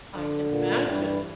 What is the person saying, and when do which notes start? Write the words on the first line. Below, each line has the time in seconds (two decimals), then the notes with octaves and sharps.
I can imagine.
0.14 D3
0.50 A#2
0.85 G2 E3